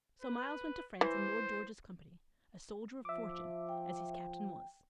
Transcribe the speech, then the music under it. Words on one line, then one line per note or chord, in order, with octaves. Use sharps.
So Myles went to France in Lord George's company, a soldier of fortune, as his Captain was.
B4
E3 C5
F3 E5 D6
G5